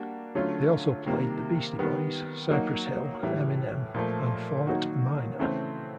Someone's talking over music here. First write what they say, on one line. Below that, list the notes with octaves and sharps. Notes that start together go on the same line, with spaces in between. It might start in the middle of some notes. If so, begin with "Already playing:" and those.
They also played the Beastie Boys, Cypress Hill, Eminem and Fort Minor.
Already playing: G3 A#3 D4 F#4
D3 F#3 A3 C#4 F4
C3 D#3 G3 A#3
D#3 G3 B3
F#3 A#3 D#4 F#4
A2 E3 G3
A#2 F3 A3
D#3 F#3 A#3 D#4 F#4
C#3 E3 A3 C4